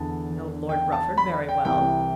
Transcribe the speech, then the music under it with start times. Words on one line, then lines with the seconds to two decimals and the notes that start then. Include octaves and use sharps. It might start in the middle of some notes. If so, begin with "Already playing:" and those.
"Know Lord Rufford very well!"
Already playing: E2 D3 A5
0.69 G5
0.92 A5
1.18 B5
1.48 G5
1.65 C2 C3 E3 G5